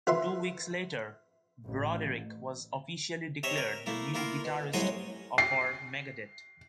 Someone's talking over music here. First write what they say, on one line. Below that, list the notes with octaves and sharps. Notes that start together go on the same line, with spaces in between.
Two weeks later, Broderick was officially declared the new guitarist for Megadeth.
F4 B4 E5 C6
A1
C3 C#5 D#5 E5
A#4
A3 A#3 E4
A#3 E4 F4 A#4
B2
C2 A2 F#3 D#5 G#5 C6
C7